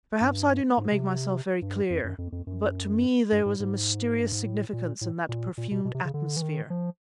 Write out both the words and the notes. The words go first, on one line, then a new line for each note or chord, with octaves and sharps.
Perhaps I do not make myself very clear, but to me there was a mysterious significance in that perfumed atmosphere.
G2
G#2
C3
G2
F2
F#2
F2
F2
F#2
G2
G#2
G#2
G2
G#2
A2
A#2
A2
A#2
A#2
B2
B2
C3
C#3
D3
E3
D#3
F3